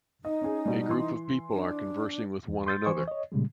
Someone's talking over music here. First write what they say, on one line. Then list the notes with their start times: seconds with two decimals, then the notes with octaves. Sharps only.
A group of people are conversing with one another.
0.25 D#4 D#5
0.42 C#4 G#4
0.66 B2 G3
0.89 E3 C6
1.52 D4
2.48 E2
2.67 C6 G6 A6
2.86 E3 C5 G#5 C#6
3.08 C#5 D#5
3.32 A#2 C#3 G3 G#3